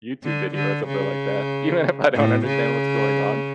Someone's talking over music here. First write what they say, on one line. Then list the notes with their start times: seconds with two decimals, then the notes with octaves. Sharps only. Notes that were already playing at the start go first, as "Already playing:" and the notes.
YouTube video or something like that, even if I don't understand what's going on,
0.23 D3
0.55 D3
0.87 C#3
2.15 A2
2.46 C#3